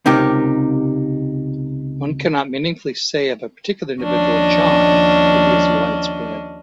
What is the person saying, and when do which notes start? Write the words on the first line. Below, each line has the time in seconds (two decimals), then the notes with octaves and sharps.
One cannot meaningfully say of a particular individual John that he is widespread.
0.06 C#2 C3 D#4 G4 A#4
4.00 D#2 F3 C#4 D4 D#5